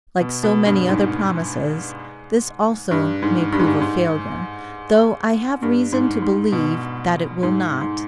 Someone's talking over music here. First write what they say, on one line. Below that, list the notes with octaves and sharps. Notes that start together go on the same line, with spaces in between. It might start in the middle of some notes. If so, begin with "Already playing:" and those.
Like so many other promises, this also may prove a failure, though I have reason to believe that it will not.
B2
B2
G2
G#2
G2
G#2
G2
G#2
G2
G#2
G2
G#2
G#2
B2
G#2
G#2